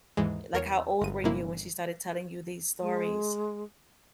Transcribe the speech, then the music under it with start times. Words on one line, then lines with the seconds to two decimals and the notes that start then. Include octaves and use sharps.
Uh, like, how old were you when she started telling you these stories?
0.17 D#2 G#2 E3 G#3
0.53 E2 A#4 C#5
1.02 G1 D#7
1.24 G1 C3 F#3 A#3 E4
2.80 G#3